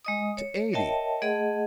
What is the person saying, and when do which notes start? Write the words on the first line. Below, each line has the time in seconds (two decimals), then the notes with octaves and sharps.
To eighty! ...
0.05 G#3 D#5 D#6
0.37 C#5
0.73 A#4 C#5 D#5 E5 G5 A5
1.22 A3 G#4 D#5 F#5